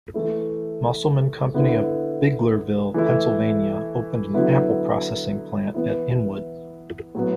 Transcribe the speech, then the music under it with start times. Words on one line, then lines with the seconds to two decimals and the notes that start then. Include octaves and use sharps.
Musselman Company of Biglerville, Pennsylvania, opened an apple processing plant at Inwood.
0.14 E3 A3 E4
1.54 D3 B3 E4
2.94 E3 A3 E4
4.34 D3 F#3 B3 E4
5.74 E3 B3 E4
7.15 A2 F#3 B3